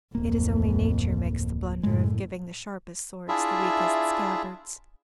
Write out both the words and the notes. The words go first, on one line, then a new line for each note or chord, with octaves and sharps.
It is only nature makes the blunder of giving the sharpest swords the weakest scabbards.
D1 A1 F2 A#3
F#1 A2 G#3
D4 E4 F4 G#4 E5